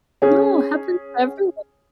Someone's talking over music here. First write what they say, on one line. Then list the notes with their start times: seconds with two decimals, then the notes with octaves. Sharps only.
No, happens to everyone.
0.22 C#4 G#4